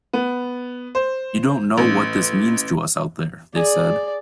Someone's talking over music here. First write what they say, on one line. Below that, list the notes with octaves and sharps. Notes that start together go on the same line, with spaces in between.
"You don't know what this means to us out here," they said.
B3
C5
A1
G#4 D5